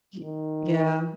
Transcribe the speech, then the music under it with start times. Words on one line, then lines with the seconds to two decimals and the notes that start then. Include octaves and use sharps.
Y yeah.
0.22 D#3